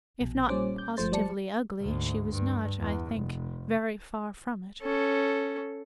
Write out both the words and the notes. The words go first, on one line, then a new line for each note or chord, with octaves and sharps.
If not positively ugly, she was not, I think, very far from it.
A#1 B2
A#2 G3 C#4 C5 D6
G6
G1 F3 A3 C5 A6
G3 D5 A5 C#7
D2 G#2
G2
E2
F1
C#4 A4